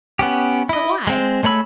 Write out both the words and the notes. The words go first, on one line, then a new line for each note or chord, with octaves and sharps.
But why?...
B3 C#4 G4
E4 D#5
G#3 C4
G#3 A3 C#5 B5 E6